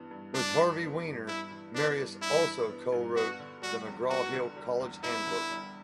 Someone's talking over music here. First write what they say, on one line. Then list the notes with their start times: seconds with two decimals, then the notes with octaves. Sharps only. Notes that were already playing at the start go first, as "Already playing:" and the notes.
With Harvey Wiener, Marius also co-wrote the McGraw-Hill College Handbook.
Already playing: G2 E3 B3
0.11 G2
0.34 G2 D4
0.58 E3
0.81 B3
1.05 G2
1.28 G2 E4
1.51 E3
1.75 B3 D4
1.98 G2
2.22 G2 E4
2.46 E3
2.69 B3
2.92 G2
3.15 B3 F#4
3.39 D3
3.62 G3 F#4
3.86 E2
4.09 B3 F#4
4.33 D3
4.56 G3
4.80 E2
5.03 B3 E4
5.26 D3
5.50 G3